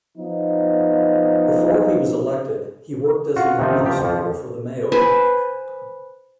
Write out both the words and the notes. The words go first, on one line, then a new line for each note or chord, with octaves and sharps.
Before he was elected, he worked as an administrator for the Mayo Clinic.
F3 B3 D#4
F4 F#4
C3 D#3 F3 D#4
F3 G4
F2 F3
B4 C5 G#5